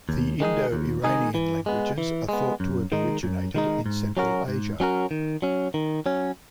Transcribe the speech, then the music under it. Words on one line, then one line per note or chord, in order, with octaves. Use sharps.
The Indo-Iranian languages are thought to have originated in Central Asia.
D#2
D#3 G#3 D#4 G#4
D#2
D#3 G#3 D#4 G#4
E3
G#3 B3
E3
G#3 B3
F#2
D#3 G#3 D#4
F#2
D#3 G#3 D#4
G#2
F#3 C#4 F#4 A#4
G#2
F#3 C#4 F#4 A#4
D#3
F#3 C#4
D#3
F#3 C#4